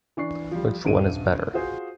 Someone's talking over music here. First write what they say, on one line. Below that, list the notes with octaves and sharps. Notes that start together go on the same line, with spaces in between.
Which one is better?
E3 D4 C#6 C7
F3 G3
D#1 G2 D7 D#7
F4 F#4 G#4 C5